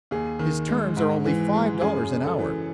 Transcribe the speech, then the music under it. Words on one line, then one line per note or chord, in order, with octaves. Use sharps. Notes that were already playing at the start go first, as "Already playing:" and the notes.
His terms are only five dollars an hour.
D#2 G#4
D#3
G#3
G#2
E3
G#3
F#2 G#4
C#3
A4
E3